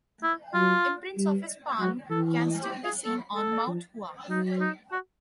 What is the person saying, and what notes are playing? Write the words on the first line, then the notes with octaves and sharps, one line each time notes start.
Imprints of his palm can still be seen on Mount Hua.
E4
F#3 F4
G3
F#3 F#4
E3 A4
G4
G#4
A4
A4
F3
F#3 D#4
D#4
F#4